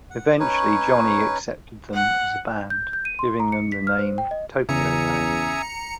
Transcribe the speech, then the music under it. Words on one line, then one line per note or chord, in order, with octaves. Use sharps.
Eventually, Johnny accepted them as a band, giving them the name "Tokio Band".
F#5
C#4 D#4 B4 C#5
F#5
G6
G6
D#7
C6
A#5
C#7
B6
F6
C5
G5
D#5
E2 C#3 E5 G#5 A#5 D#6 C#7